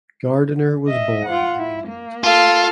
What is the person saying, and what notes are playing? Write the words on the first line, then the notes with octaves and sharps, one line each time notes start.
Gardiner was born in England.
D#5 E5
F4 F#5
E4
A#3
F4 A4 F5